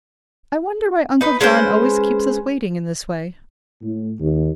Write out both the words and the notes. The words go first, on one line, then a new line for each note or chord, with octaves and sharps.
"I wonder why Uncle John always keeps us waiting in this way?"
D#4 B4
G#3 C#4 B4 C5
A2
D#2